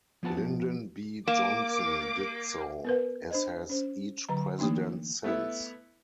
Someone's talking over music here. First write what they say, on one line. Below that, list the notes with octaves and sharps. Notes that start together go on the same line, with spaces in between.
Lyndon B. Johnson did so, as has each President since.
F3 B3 F#5 A5
A#3 D6
B3 A#4 B4
D4 C5 D#5
C#4 C5
D3 F#3 A#5
E3 A3 A#3 D4 D#4
A3 B3 E4 E5